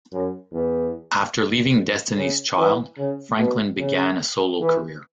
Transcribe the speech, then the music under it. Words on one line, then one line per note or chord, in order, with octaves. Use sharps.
After leaving Destiny's Child, Franklin began a solo career.
F#2
E2
F#2
C#3
E3
C#3
B2
C#3
E3